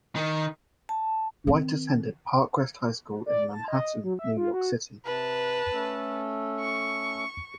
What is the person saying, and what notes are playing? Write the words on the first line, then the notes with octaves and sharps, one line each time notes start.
White attended Park West High School in Manhattan, New York City.
D#3
A5
D#3 C4
D5
A5
D#5
F#3
E5
F4
F#4
C3 B4 A5
A3 C#4 A4
C#6